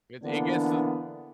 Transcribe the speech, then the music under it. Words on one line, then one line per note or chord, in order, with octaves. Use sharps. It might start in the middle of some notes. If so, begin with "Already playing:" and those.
It it gets to
D3 E3 A#3 B3 D4